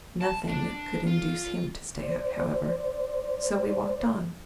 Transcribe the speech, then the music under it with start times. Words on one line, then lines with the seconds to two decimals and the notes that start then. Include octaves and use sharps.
Nothing could induce him to stay out, however, so we walked on.
0.21 A5
0.48 D4
1.07 F4
2.02 C5 D5